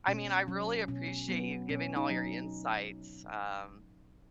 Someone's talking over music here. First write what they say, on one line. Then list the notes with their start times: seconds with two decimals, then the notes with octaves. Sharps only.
I mean I really appreciate you giving all your insights, um,
0.07 B2 C#4
0.48 F#3 C#4
0.88 B2 C#4
1.29 F#3 B3
1.69 B2 C#4
1.96 D#4
2.10 F#3